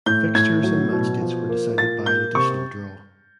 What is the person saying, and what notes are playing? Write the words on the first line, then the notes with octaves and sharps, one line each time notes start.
The fixtures and match dates were decided by an additional draw.
A2 G6
A2 G#6
F#3
B2
F3
A#3
A#2 A6
A#3 G6
C3 C#6